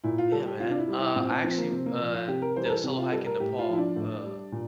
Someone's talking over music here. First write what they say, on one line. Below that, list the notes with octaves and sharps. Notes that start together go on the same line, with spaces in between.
Yeah man, uh, I actually, w uh, did a solo hike in Nepal, uh
A#2 E4
F4
G3 A4
G4
C3 F4
D4
E4
G3
E4
A#2 C4
C4
F3 C4
A#3
C3 C4
A#3
F3
F4
C3 G4
A#4
E3 G3 C5
A#4
A4
C3 G4
F4
G3 A4
A#4
A2 G4
F4
F3 E4
D4
A2
G3
A#2